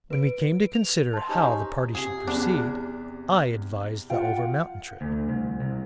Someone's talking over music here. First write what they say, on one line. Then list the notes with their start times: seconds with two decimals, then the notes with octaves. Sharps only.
When we came to consider how the party should proceed, I advised the over-mountain trip.
0.10 B4 D7
0.74 F7
1.13 A5 C6
1.29 C#4 D#4 G4 C5
1.95 C3 G#4
2.27 E2 D4
4.10 F4 F#5 G5
5.01 D2
5.29 C2
5.60 C2